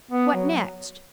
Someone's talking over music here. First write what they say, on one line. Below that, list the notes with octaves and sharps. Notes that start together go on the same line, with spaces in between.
"What next?"
B3
F#3